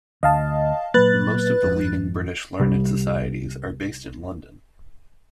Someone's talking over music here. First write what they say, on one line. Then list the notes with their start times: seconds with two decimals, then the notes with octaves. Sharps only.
Most of the leading British learned societies are based in London.
0.23 D2 D#5 F5 A5
0.94 A#2 F#3 A#3 B4 F#6 A6
1.63 G#1 F2
2.60 C2 G3